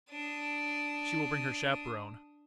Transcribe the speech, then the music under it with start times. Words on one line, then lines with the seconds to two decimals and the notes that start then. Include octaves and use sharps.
"She will bring her chaperone."
0.10 D4 D#6